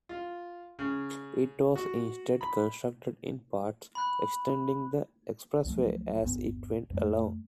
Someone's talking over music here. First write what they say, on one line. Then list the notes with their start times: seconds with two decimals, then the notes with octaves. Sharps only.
It was instead constructed in parts extending the expressway as it went along.
0.09 F4
0.79 C#3
1.76 F#4
2.41 B5
3.95 B5 F#6
5.65 C#2 F3 F#3 A3
6.23 G1 D#2 B3
6.90 F2 G3 A3